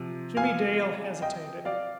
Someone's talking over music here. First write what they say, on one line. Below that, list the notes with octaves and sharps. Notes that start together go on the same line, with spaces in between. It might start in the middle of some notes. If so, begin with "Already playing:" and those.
Jimmie Dale hesitated.
Already playing: C3 F3
F5 G#5
D#5 G5
D5 F5